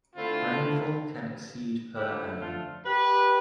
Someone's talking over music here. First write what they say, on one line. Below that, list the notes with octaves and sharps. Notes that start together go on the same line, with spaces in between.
Rainfall can exceed per annum.
D3 A3 C4 E4 F4
D3 F3 A3 E4 G4
F4 A4
G4 B4